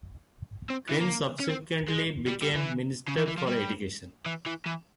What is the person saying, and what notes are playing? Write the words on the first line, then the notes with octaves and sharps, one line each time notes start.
Quinn subsequently became Minister for Education.
C4
E3
A#3
C#4
C4
G#3
G3
G3
E3
C#3
E3
E3
F3
G3
E3
E3
E3